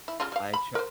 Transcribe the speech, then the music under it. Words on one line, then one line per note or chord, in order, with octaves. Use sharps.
I tr
E4
C#3 G3 F4
G3 F5
B5
A#4 C5